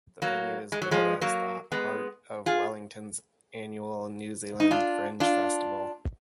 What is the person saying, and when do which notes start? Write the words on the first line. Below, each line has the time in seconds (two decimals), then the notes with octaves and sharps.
The venue is billed as the 'heart' of Wellington's annual New Zealand Fringe Festival.
0.22 F#3 A#3
0.72 G#3
0.82 F#3
0.91 F3 G#3
1.21 F#3 A#3
1.72 G#3 B3
2.46 F4 G#4
4.60 D#4
4.71 D4 F4
5.20 D4 F4